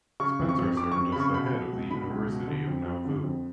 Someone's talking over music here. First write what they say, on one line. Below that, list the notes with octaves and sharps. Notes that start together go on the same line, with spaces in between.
Spencer served as the head of the University of Nauvoo.
C#3 C#6
F2
C#6
F2
F2 D6
F2 C#6
B5
C#3 C#6
B2 B5
B2
C#2
B2 B5
C#2
B2
D3
F2
F2
D3
F2